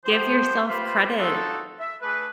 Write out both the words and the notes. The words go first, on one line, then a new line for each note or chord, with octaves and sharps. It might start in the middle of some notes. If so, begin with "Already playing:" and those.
Give yourself credit,
F3 B3 G4 C5
F4 G4 B4 C5 F5 B5
C4 D#4 F4 F#4 A4
E5
A3 D4 G#4 B4